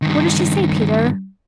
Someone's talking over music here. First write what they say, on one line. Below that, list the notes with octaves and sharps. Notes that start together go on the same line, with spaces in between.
"What does she say, Peter?"
G2 D#3